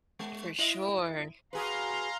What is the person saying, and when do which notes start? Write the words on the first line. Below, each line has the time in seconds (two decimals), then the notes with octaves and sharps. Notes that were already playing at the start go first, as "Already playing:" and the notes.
For sure.
0.19 G#3
0.58 E4 D#5
1.53 F#4 G#4 B4 F5 A#5 C6